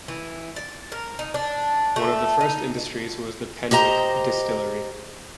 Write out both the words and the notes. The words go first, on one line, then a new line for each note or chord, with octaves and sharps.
One of the first industries was the Penwick Distillery.
E3
D5
A#4
D#4
D4
A3
D#4
G4 C5 D#5 A#5